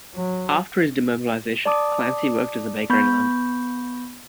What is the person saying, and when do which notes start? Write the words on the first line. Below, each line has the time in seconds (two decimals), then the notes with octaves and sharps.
After his demobilization, Clancy worked as a baker in London.
0.15 F#3
1.66 D5 A5 D6 D#6
2.90 B3 B5 C#6 G6